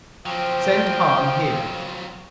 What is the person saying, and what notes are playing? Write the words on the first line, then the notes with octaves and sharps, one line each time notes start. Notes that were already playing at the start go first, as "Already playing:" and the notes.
Send Hahn here.
F3 F#3 C4 G5